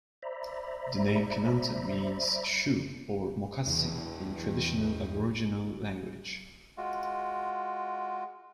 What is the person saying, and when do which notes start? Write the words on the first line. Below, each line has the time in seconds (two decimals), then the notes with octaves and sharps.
The name Pinantan means shoe or moccasin in traditional Aboriginal language.
0.22 C5 D5 E5 A#5 B5
3.67 E2 E3 D4
6.77 G#3 F4 F#4